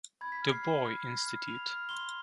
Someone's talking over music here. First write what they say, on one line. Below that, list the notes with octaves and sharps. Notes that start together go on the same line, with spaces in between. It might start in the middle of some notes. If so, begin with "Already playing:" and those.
Du Bois Institute.
B5 G#6
B6
F6
C7
B5 C7
F6
B5
F6
B5 F7
F6
C6 G7